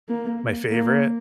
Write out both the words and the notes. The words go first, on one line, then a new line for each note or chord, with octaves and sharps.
my favorite.
A#3
A#3